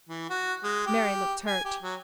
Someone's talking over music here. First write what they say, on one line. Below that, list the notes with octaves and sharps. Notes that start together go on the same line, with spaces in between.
Mary looked hurt.
E3
F#4
G#3
G4
G#5
G4
F#3